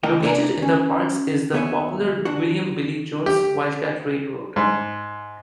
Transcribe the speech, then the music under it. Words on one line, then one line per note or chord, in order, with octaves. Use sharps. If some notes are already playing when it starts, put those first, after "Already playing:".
Located in the parks is the popular William "Billy" Jones Wildcat Railroad.
C#2 A3 D#4 A#4 D#5 G5
C3 D4 C5 E5 G#5 A#5
C#4
D#2 B3 C#5 E5 G#5
D4 F#4
G4
G#2